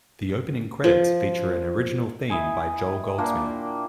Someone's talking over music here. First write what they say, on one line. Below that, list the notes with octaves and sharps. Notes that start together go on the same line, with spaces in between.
The opening credits feature an original theme by Joel Goldsmith.
F3
E4 D#5 G#5
A#2 A#3 D4 G5